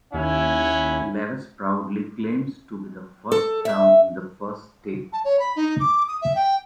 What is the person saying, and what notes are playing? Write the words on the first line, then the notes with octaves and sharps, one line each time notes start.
Lewes proudly claims to be The First Town in The First State.
D#2 C#4 E4 F#5
A4
E5
A5
C#5
B5
D#4
D6
D#6
E5
G5